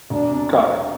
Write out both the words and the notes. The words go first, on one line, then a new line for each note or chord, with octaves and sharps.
Got it.
E1 D4
C3